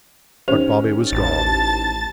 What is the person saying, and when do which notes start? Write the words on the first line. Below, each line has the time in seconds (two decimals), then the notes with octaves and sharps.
But Bobby was gone.
0.48 D#3 C#4 G4 C5 F7
1.12 A1 A5 A6